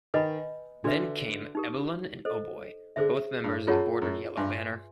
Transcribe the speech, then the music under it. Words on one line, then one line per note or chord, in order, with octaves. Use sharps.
Then came Ebilun and Oboi, both members of the Bordered Yellow Banner.
D#3 B4 D#5 G#5 B5
D3 D4 F#4 B4 E5
D#4 G4 A#4
A4 C5 D#5
D3 G#4 C5 E5
G2
F#2 F4 G#4 C#5 F#5 A5
F#2
G2 B4 E5 G#5 C6